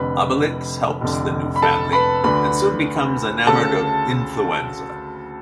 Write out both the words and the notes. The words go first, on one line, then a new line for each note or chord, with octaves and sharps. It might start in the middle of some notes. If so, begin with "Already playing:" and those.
Obelix helps the new family and soon becomes enamored of Influenza.
Already playing: F1 F2 D3 B4 B5
F1 F2 D3
B5
A4 A5
B4 B5
D2 D3 B4 B5
D2 C#3 A4 A5